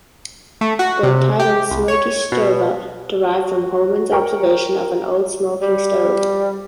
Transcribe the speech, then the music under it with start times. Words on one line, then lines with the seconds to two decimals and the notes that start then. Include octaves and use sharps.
The title "Smokey Stover" derived from Holman's observation of an old smoking stove.
0.61 A3
0.79 F#4
1.03 C3
1.39 G4
1.71 C2
1.88 C#5
2.32 B2
3.34 F#4
4.12 A#4 G5 C#6
5.62 G3